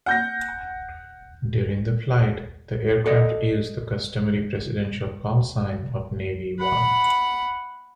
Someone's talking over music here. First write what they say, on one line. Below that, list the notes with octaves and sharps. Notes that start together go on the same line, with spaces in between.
During the flight, the aircraft used the customary presidential callsign of "Navy One".
F#5 G6 A#6
A4 D5 D#5
F#5 B5